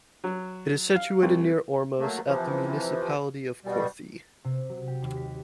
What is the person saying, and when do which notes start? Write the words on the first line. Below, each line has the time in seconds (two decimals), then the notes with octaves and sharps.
It is situated near Ormos at the Municipality of Korthi.
0.24 F#3
0.95 F5
1.23 C2
1.99 F#3 A3 A#3
2.26 C3 E3 F3
3.65 B2 G3
4.44 C3
4.69 F#3
4.88 G4
5.02 D#2
5.17 B6